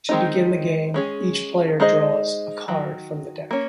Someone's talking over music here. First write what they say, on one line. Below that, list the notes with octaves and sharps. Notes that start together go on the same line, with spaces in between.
To begin the game, each player draws a card from the deck.
D#3 G#3 C4 D#4
G#3 C#4 G#4
G#3 D#4 G#4 C5 D#5
D#3 F#3
A#3 C#4